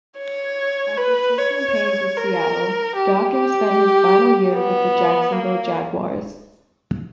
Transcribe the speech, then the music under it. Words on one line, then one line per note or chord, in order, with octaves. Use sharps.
After two campaigns with Seattle, Dawkins spent his final year with the Jacksonville Jaguars.
C#5
B4
C#5
A#4
G4
G4
B3
A#3